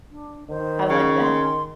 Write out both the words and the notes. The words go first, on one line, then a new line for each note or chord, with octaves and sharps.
I like that.
D4
D#3 C5
C#3 C#6
C6